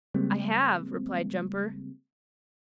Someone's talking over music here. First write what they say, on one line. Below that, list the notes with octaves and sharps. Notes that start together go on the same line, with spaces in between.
"I have," replied Jumper.
C#3 G3 G#3 A#3 C4